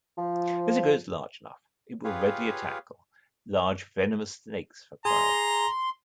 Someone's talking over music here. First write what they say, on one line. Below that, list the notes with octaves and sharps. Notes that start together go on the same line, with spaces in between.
As it grows large enough, it will readily tackle large venomous snakes for prey.
F3
F4 G4 G#4 B4 C#5 F5
G#4 G#5 A#5 C6